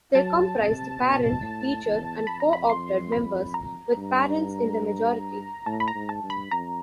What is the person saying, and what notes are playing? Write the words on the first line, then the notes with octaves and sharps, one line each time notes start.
They comprised parent, teacher and 'co-opted' members, with parents in the majority.
F#3 A5
C3
B2
A2
E2
F2 B5
A#5
B5
C6
B5
A#5
G2
A2 A5
B5
A#5
G#2
A5
G2
B5
F2 A#5